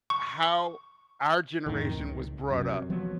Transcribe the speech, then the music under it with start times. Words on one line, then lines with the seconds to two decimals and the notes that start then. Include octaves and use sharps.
how our generation was brought up.
0.10 C#6
1.66 F2 A2 D#3
1.94 C#2
2.51 F#2 C3
2.90 F3 F#3 B3